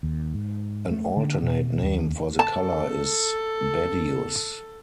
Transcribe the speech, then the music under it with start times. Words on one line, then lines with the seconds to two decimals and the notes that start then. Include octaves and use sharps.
An alternate name for the color is badious.
0.03 D#2
0.34 G#2
0.91 A3
1.17 D3
1.43 B2
1.83 D#2
2.39 A4 A5